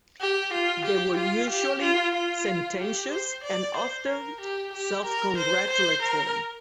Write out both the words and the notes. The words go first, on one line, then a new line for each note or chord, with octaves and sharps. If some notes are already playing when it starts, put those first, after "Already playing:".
They were usually sententious and often self-congratulatory.
G4
F4
G4
F4
G4
F4
F4
G4
C5
D5
C5
A#4
G4
G4
A#4
C5
C5
A#4